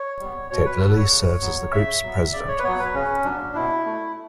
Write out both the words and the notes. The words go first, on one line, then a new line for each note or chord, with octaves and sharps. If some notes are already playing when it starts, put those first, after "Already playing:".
Ted Lillie serves as the group's president.
Already playing: C#5
G3 B3
B2 C#5
B4
G3 B3 A4
C#5
C#3
F#3 B3
C#3 E5
F#3 B3
C#3 D5
C#5
B4
F#3 B3 C#5
B4
C#3 C#4
F#3 B3 D4
B2 E4
A3